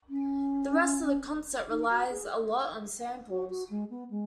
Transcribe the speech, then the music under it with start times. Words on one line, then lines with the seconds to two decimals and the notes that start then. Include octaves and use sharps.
The rest of the concert relies a lot on samples.
0.09 C#4
1.70 D#4
1.90 F#4
2.10 G#4
3.30 F#4
3.50 F#4
3.70 G#3
3.90 B3
4.10 G#3